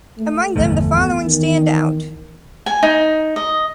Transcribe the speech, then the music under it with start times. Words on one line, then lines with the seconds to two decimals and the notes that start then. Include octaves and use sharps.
Among them, the following stand out.
0.18 A3
0.56 G1 E2 F3 A3
0.93 E3 B3
1.26 D#3
2.66 G#5
2.83 D#4
3.36 D#5